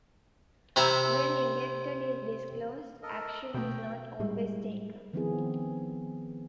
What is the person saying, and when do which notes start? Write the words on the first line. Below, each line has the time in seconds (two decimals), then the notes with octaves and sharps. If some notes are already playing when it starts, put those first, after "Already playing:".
When neglect is disclosed, action is not always taken.
0.76 C3 E4 C5 A#5
3.03 A4 A#4 D#5
3.54 B2 A3 A#3 G5
4.20 A2 G3 G#3
5.13 D#3 F3 B3 C4 E4 G#4